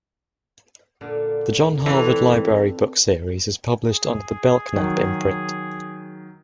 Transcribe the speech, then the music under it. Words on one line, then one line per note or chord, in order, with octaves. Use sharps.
The John Harvard Library book series is published under the Belknap imprint.
A#2 D3
E3 C4 D4 A4
G#4
D#3 F#3